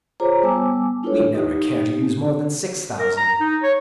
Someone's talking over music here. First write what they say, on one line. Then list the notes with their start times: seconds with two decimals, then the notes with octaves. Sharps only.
We never care to use more than six thousand.
0.20 F4 G#4 C5 C#5 A#5 D6
0.43 G3 B3 G#5 A5 D6 E6
1.03 D4 E4 F4 A4 B4 C#5
1.35 D#4 G4
2.99 A#4
3.17 A#5
3.40 D#4
3.63 C#5